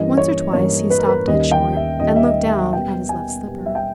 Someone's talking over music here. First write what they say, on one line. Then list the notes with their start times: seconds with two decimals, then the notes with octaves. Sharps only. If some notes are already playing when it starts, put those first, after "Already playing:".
Once or twice he stopped dead short and looked down at his left slipper.
Already playing: G2 E3 A#3 C#4 D#5
0.18 C#5
0.53 G2 E3 A#3 C#4 C#5
0.90 B4
0.99 A#4
1.09 B4
1.28 D#2 D#3 G3 C#4 D#5
1.51 G5
1.76 E5
2.00 D#2 D#3 G3 C#4 D#5
2.16 E5
2.24 D#5
2.48 E5
2.73 B2 G3 B3 G5
3.09 G#5
3.47 B2 G3 B3
3.66 E5
3.75 G5